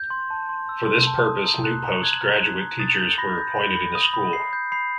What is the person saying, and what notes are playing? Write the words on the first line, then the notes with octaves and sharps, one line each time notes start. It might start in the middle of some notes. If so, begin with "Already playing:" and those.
For this purpose New Post Graduate teachers were appointed in the school.
Already playing: G6
C6
A5
C6
E6
C6
A5
D#6
A#5
F#6
A#5
F#6 G#6
A#5
F#6
A#5
D#6 A6
G6
B5 A#6
G6
B5
B5
D#6
B5
B5 C7
G6
B5 C7